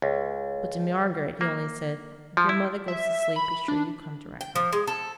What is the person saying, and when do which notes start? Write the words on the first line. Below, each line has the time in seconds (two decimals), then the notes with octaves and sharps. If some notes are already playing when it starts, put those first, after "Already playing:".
But to Margaret he only said, 'If your mother goes to sleep, be sure you come directly.'
0.02 C#2
1.41 A#3
2.37 F3
2.49 E4
2.88 E5
3.36 B5
3.68 D4
4.41 G5
4.56 F3
4.73 G#3
4.87 A4